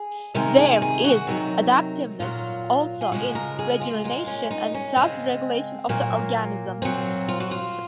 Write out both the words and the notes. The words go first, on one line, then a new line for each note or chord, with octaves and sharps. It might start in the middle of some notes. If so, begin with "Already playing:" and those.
There is adaptiveness also in regeneration and self-regulation of the organism.
Already playing: G#4
C3 D#3 G#3 A#4
G#4
G#4
F#4
C3 D#3 F#3
A#2 F#3 F4
G#4
C#3 F3 G#3 F#4
A#4
G#4
F4
A#2 G#3 F4
C#4
D#4
C#4
C#3 G#3 C4
A#2 F#3 A#3
A#2 F#3 C4
F4
F#4
F4